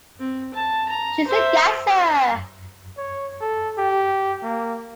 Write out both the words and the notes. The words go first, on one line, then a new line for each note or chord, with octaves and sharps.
She's a gasser!
C4
A5
A#5
C5 E5
C#5
A4
G4
A#3